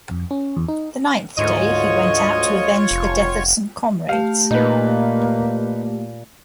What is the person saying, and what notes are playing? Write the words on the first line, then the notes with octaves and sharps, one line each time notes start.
The ninth day, he went out to avenge the death of some comrades.
F2
C#4
E2
D#4
D2 G#2 F4 C#5 D#5 C#6
F1
A3 G4 F5
A#2 A#3 D#4 B4